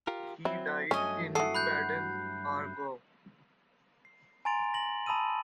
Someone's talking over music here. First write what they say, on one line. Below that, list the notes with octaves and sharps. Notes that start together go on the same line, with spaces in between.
He died in Baden, Aargau.
F4 G4 A#4
F#3 C4 E4
G2 F#3 A3 C#4 D#5 G#5
E3 F#4 A4 D#6 C7
B5 F#6 G6
C7
G#5 A#5 C6 A6 D7 F7
A#6 F#7
A5 B5 D#6 E6 D#7